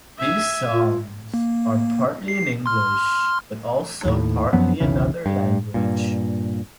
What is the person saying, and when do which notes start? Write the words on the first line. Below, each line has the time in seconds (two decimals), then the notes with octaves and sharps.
These songs are partly in English, but also partly another language.
0.19 E5 G#5
0.73 F4
1.34 A#3
2.28 C7
2.66 C6 F6
4.05 D#2 A2
4.53 F#2 F3 F#3 B3
4.80 F1 B1 C#3 E3
5.26 G2
5.74 G2 A#2